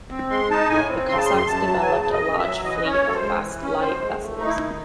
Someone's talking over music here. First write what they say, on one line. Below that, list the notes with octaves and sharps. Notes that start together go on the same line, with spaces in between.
The Cossacks developed a large fleet of fast, light vessels.
C4
G#3 C6
D#4 A5
A2 G#5
C4
C#3 C6
A5
C6
F#2
C6
F#2 A5
F#3
G#5
C#3 A5
F#2
D#5
F#2
E5
F#3
E3 D#5
C#4
C#5
F#2 A4
C5
G#3
E3
C#4
F#2 C5
G#3
A3
D#4
E4
D#3